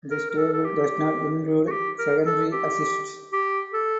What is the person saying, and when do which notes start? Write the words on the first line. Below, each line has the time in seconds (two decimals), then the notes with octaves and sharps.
This table does not include secondary assists.
0.11 A#4
0.30 A#4
0.37 A4
0.53 A4
0.65 G4
1.68 F#4
1.72 G4
1.98 A#4
2.26 A4
2.52 G4
3.33 G4
3.73 A4